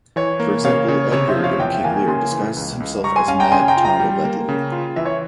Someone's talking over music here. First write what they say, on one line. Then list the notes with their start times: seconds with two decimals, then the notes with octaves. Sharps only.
For example, Edgar in "King Lear" disguises himself as mad "Tom o' Bedlam".
0.16 E3 C#5
0.40 A#3
0.64 C#3 C#5 F5
0.88 C#3 C#5
1.12 C3 C#5
1.28 C5 E5
1.36 F3
1.44 C#5 F5
1.60 E2 E5 G5
1.84 A#3 F5 G#5
2.08 C#3 G#5 C6
2.32 E3
2.56 C#2
2.80 C#2
3.04 G3 A#5 C#6
3.16 G#5 C6
3.28 C#4 F5 G#5
3.40 G5 A#5
3.52 C#3 G#5 C6
3.68 G5 A#5
3.77 F4
3.85 G5 A#5
4.00 G3
4.24 A#3
4.49 C#3
4.72 F4
4.96 E3 E5
5.05 C#5